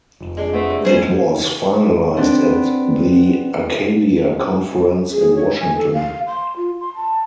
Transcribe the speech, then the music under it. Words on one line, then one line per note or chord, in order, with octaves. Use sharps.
It was finalized at the Arcadia Conference in Washington.
F1
G#3 D4
A3 B3 C4
C3
G3 G#4 C5
B3 C4 D4
G#4
C#5
G#5
A4
F5
C6
F4
C6
A5